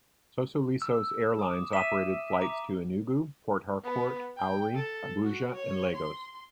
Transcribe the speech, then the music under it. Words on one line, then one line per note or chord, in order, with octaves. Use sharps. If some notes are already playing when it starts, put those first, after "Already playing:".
Sosoliso Airlines operated flights to Enugu, Port Harcourt, Owerri, Abuja and Lagos.
E6
D6 D#6
E5 D#7 E7
A#5 D6
B3
G5
A4
F#4
C#5
C6